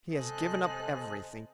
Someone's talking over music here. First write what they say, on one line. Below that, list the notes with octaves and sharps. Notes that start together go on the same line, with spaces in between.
He has given up everything.
C3 A4 C5 D#5 G#5 F#6